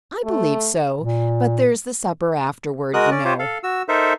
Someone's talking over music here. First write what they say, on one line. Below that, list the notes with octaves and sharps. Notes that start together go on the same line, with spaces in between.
"I believe so; but there is the supper, afterward, you know."
A3
A#2
G#3 F#4 A#4 D#6 F#6
C#4 D5
F4 G4 C5 C#5
A4 F5
F#4 E6
D#4 A4 A#4 C5 E5